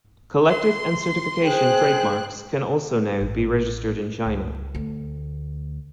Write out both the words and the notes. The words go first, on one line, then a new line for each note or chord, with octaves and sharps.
Collective and certification trademarks can also now be registered in China.
C6
G#4 C5 G5 F#6
A1
C#2
D2